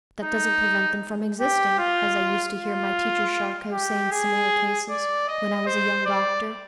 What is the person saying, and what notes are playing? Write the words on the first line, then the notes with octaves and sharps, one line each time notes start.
"That doesn't prevent them from existing," as I used to hear my teacher Charcot say in similar cases, when I was a young doctor.
D#4
G4
F4
F4
G4
G#4
D5
D#5
C5
D5